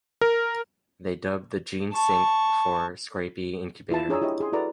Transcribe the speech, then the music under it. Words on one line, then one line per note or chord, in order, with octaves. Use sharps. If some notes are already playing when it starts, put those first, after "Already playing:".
They dubbed the gene sinc for scrapie incubator.
A#4
A5 C#6
E4 F4 E5 A5
D4 G#4 C#5 A#5 E6
E4 G4 C#5 D#5
G#4 C6
E4 F#4 A4 B4 D5 A#5